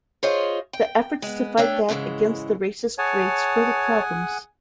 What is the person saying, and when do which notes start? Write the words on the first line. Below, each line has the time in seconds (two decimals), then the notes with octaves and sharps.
The efforts to fight back against the racist creates further problems.
0.23 F4 G#4 C5 C#5 D#5 F5
0.73 G5
1.22 G#3 B3
1.57 A3 D4 C#5 G5
1.89 G#2 C#3 E3 G3 G#3
2.98 G#4 C#5 F#5 G#5 A5